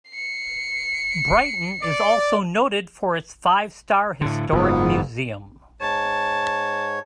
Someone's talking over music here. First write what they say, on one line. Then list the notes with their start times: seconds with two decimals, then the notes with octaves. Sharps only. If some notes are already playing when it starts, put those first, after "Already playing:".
Brighton is also noted for its five star historic museum.
0.11 C7 C#7
1.81 D5
4.21 A2 D3
4.52 F#1 G#2 B3 F4
5.81 G#2 C#5 A5